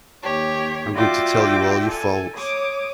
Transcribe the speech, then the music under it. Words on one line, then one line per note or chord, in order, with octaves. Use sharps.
I’m going to tell you all your faults.
D#2 G4 C#5
F4 F#4 D5 E5 G5 D6
A4 G#5
C#5 D6 D#6